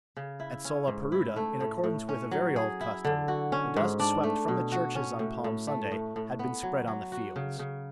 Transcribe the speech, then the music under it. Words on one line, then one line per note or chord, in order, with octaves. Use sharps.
At Solaparuta, in accordance with a very old custom, the dust swept from the churches on Palm Sunday had been spread on the fields.
C#3
E4
C#4
G#2
E4
A3
A2
A2
C#4
F#3
G#4
E4
D3
F#4
C#4
G#2
D4
A3
B2
F#4
C#4
A2
A2
A3
A2
A2
B3
F#3
F#3
F#4
C#3
C#3